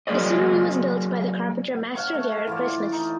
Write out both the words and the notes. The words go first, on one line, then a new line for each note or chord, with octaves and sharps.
The scenery was built by the carpenter Master Garret Christmas.
F#3 A#3 B3 G#4 D5 D#5
C#5 F5 F#5 A5
A3
E3 F4 D5
D#4